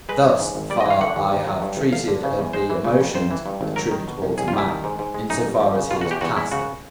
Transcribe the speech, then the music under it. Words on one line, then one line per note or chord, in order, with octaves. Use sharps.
Thus far I have treated of the emotions attributable to man, in so far as he is passive.
G#3 B4
E3
G#2
G#1
G3 D5
D#5
E3 F5
D3 F#5
D#2
D#2
F#3
G2
A1
A1 F5
D3
C#3
E2
G#3 C5
E3
C#3
F2
F2 C5
E3
G2
G#1
F#3 A#4
D#3
B2
C2
C2 G#4
F4
G3
E4
D#3
G#2
G#2
G#3
F#2 D#4
G1
F3
C#3
B2 F4
F#4
E2
G4
E2 F#4
G#3 E4
C#3 F#4